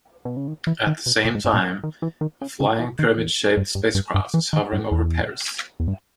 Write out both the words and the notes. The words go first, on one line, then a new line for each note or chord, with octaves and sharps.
At the same time, a flying pyramid-shaped space craft is hovering over Paris.
B2
C#3
D#3
E3
D#3
B2
A#2
G#2
G2
A#2
D#3
E3
D#3
C#3
C#3
E3
D#3
E2
G2
G2
G2
G2
E3
D#3
G2
E2
E2
G2